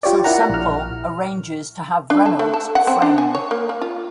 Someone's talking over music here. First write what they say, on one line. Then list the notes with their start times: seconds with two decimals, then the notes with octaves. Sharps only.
So Semple arranges to have Reynolds framed.
0.03 F4 G4 C#5 D5
0.24 E4 A#4 F#5 A#5
0.50 A#1 F6
2.10 D4
2.26 A4
2.39 A3
2.54 A4
2.75 F#5
2.87 C4
3.02 D4
3.18 G#5
3.35 C#5
3.51 A#3
3.69 A#3
3.81 F4